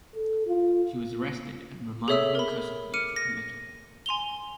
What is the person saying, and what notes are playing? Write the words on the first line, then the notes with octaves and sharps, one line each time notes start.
She was arrested and remanded in custody for committal.
A4
F4
G#4 A4 C#5 E5 E6 B6
A#4 B5
D6 F6 C#7 D#7
A#6
G#5 C6 F7 G7